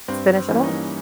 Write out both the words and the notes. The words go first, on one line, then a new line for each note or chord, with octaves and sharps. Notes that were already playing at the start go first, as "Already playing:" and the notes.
finish at home.
G2 C4
C4
E3 G3 A#3 C#4
D#4